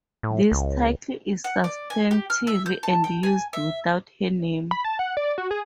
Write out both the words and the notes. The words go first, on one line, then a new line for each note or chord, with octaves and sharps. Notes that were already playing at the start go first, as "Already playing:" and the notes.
This title is substantive and used without her name.
A2
C#2
F#5
D5
G#5
G4
F6
E5
G6
A5
G5
G#5
E5
B5
A5
F#5
D5
F#4
G#4